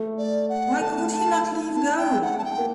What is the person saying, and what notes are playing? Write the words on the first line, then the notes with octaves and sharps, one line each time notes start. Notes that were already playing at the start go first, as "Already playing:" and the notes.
Why could he not leave go?
Already playing: A3
D5
F#5
A3 A5
A5
A5
G5
F#5
A5
G5
A#3